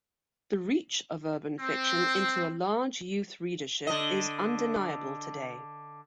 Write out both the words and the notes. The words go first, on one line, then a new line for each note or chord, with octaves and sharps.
The reach of urban fiction into a large youth readership is undeniable today.
C4
D3 D#5